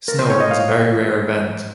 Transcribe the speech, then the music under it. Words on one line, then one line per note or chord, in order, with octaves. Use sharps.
Snow is a very rare event.
A#4
C5
C#5
D#5
F5